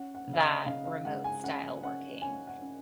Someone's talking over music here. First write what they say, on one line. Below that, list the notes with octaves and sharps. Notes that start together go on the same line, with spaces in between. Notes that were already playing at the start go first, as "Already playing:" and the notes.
that remote-style working,
Already playing: C#4 F#5
F#5
C#3
F5
D#5
C#3 F5
F5
G#3 F#5
G#5
C#4 F#5
C#4 F#5
C#4 G#5
F#5
C#4